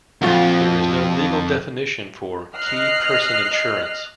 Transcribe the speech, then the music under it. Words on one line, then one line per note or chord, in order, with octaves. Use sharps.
There is no legal definition for "key person insurance".
C2 F2 A#2 F4 F#4
D#5 F6 F#6 C7